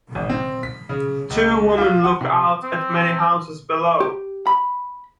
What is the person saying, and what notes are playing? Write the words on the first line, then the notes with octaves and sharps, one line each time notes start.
Two women look out at many houses below.
G#1
C4
B6
C#3
C#2
F4
F#5
C3
C4
G4
B5